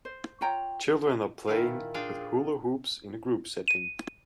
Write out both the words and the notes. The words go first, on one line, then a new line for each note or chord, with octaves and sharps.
Children are playing with hula hoops in a group setting.
C5
F4 C#5 G5 A#5
A#2 D#3 E4 F5
D4 F4 G#4 F5 G5
D#7